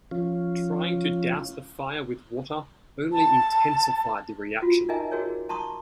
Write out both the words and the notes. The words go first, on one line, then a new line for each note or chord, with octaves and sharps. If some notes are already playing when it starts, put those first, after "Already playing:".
Trying to douse the fire with water only intensified the reaction.
F3 C#4 F4
A5
F4 F#4
D#4 A#4 D#5 E5 G#5 A#5
F#4 G#4 A#4 C#5
A5 A#5 C6 C#6 D#6